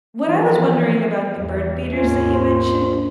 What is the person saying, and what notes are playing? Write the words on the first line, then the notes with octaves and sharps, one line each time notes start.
What I was wondering about the bird feeders that you mentioned,
E3 F3 B3
E2
D#2 G#2 C#4 F4
C5